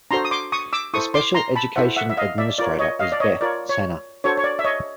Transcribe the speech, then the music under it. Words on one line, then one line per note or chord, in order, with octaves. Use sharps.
The special education administrator is Beth Sanna.
D4 F#4 A4 C5 A#5 C6
D#6
C6 D6
C#6 D#6
D6 E6
E4 A4 C5 C#6 D#6
C6 D6
A#5 C6
A5 B5
E4 A4 C5 E5 F#5
E5 F#5
E5
D#5 F5
D5 E5
F4 A#4 C#5 D5
C#5 D#5
D#5 F5
D5
C#5 D#5
F4 A#4 C#5 D5
C#5
D4 F#4 A4 C5 C#5
C#5
D5
E5
C#5 D#5